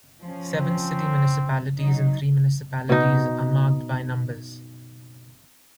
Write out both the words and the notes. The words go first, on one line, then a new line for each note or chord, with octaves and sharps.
Seven city municipalities and three municipalities are marked by numbers.
F3 C#4
C4
F#3 D#4
B2 D#4